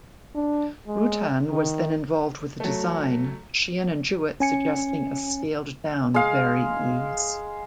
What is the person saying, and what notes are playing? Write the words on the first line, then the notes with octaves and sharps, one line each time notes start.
Rutan was then involved with the design; Sheehan and Jewett suggesting a scaled-down Vari-Eze.
D4
G#3
D#3
F#3 A3
C#4 G#5 C#7
G#3 F5